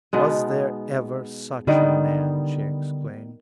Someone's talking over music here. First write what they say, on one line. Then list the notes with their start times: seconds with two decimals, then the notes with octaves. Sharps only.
"Was there ever such a man!" she exclaimed.
0.13 B2 G#3 B3 D#4
1.67 D3 D#3 G3 B3 D#4